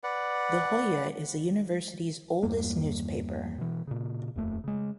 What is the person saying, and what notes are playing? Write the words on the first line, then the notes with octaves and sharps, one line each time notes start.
"The Hoya" is the university's oldest newspaper.
B4 D5 F#5
E2 G2 G3 A#3
B2 E3
A#2 C#3
D#1 F2 A3
C#3 G#3